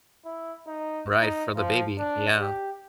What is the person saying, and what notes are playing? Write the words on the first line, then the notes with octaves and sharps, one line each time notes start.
Right, for the baby, yeah.
E4
D#4
D#4
F3
D4
G4